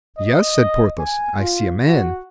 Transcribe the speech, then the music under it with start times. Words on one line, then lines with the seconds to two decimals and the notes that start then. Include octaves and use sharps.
"Yes," said Porthos; "I see a man."
0.18 D#5
0.99 G#5
1.39 F4
1.87 F#4